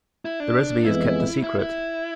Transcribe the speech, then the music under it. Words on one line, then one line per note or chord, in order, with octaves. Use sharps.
The recipe is kept a secret.
E4
D4
F2 E3 G#3 B3 E4
E4
E4